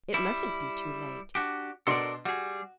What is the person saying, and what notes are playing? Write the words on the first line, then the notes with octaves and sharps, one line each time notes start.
It mustn't be too late!
G3 E4
D4 F#4 G4
B2 D4 A4 A#4 D5 C6
G3 F#4 G#4